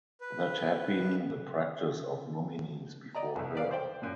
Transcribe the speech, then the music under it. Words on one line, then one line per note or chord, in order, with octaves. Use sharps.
That had been the practice of nominees before her.
B4
D5 D#5 A#5
C2 F2
B4 D5 F5
C5 D5 G5
F#2 A#2